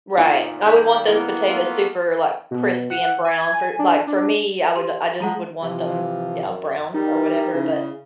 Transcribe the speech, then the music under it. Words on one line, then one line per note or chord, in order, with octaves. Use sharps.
Right, I would want those potatoes super, like, crispy and brown for like, for me, I would I just would want them Yeah, brown or whatever, but
G#1 D2 A#2 D#4 F4
D#3 G3 D#4 B5 G6
A#3 B3 E4 A#4
A3 F4
B2
F#5
G#5
G#6
G#5
D4
D4
G4 C6
F3 G#3 F#5 A#5 B5
C3 E3 F3
F#2
G3 D#4 G4 A#4
C#3 E4